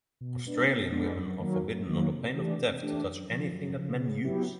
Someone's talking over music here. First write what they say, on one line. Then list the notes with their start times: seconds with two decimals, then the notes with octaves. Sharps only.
Australian women are forbidden under pain of death to touch anything that men use.
0.21 B2
0.45 G#3 B3 D4
0.68 B2
0.92 G#3 B3 D4
1.16 F#2
1.39 D#3 F#3 A#3
1.63 F#2
1.86 D#3 F#3 A#3
2.11 C3
2.34 E3 A3 D4 G4
2.58 C3
2.82 E3 A3 D4 G4
3.05 F#2
3.29 C#3 F3
3.53 F#2
3.77 C#3 F3
4.00 C#3
4.24 F#3 B3 E4 G4